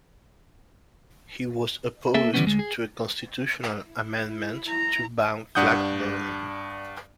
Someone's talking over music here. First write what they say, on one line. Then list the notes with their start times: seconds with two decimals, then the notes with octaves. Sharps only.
He was opposed to a constitutional amendment to ban flag burning.
2.14 A#3 A4 E5
2.34 D3 E3 G3 A3 B3 C#4
2.45 D2 G#3
2.59 G#4
3.82 E4
4.69 A#5
5.55 G2 D4 F#5 D#6 G6